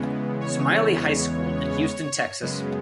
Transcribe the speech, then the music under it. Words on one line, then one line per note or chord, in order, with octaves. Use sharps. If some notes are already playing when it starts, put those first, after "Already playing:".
Smiley High School in Houston, Texas.
Already playing: E2 C#3 E3 G#3 B3
C#5
F#2 C#3 G#3 B3